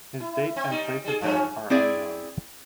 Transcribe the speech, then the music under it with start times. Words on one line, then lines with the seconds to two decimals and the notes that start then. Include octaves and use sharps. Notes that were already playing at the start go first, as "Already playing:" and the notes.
His date and place of death are unknown.
0.20 E4
0.56 C4
0.70 G3 D#4
1.05 G3 G#4
1.21 F#2 F3 C#4
1.70 C4 E4 G#4 D5